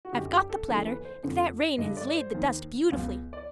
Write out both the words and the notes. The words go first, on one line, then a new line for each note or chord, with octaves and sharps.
I've got the platter, and that rain has laid the dust beautifully.
F#4
F#2 D3 G4
G4
A4
D#2 C#3 E3 A4
B4
C5
F2 D3
G2 D3 D#5
D5
C5
D#2 D#3
C#2 B2
D5